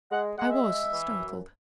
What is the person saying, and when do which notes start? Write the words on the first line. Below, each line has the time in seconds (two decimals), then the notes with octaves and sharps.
'I was startled.
0.10 G#3 F#5
0.37 G#3 F#5
0.50 E5
0.63 G#3
0.91 E3
1.18 F#2